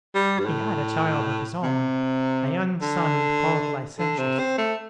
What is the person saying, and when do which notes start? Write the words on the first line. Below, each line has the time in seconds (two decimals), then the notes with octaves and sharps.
He had a child of his own, a young son called Licentius.
0.15 G3
0.39 G2
0.46 A2
1.63 C3
2.82 D3
3.99 D3
4.19 C3
4.39 C4
4.58 A3